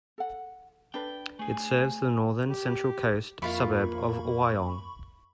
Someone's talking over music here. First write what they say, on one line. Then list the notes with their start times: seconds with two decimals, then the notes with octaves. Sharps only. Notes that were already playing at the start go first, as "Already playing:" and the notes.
It serves the northern Central Coast suburb of Wyong.
0.18 A4 F#5
0.94 D4 A4 B4 G5
1.39 A3 G#4 G#5
2.49 G4
3.42 F2 A#3 E4 F4 F5 B5 C#6